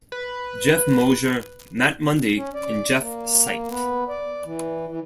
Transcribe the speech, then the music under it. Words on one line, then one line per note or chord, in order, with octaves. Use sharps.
Jeff Mosier, Matt Mundy and Jeff Sipe.
B4
C#4
D5
A#3
B3
D5
E3
E3